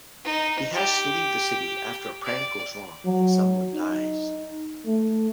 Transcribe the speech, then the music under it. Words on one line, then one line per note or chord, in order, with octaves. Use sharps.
He has to leave the city after a prank goes wrong and someone dies.
D#4
G4
D5
F#3
D#4
A3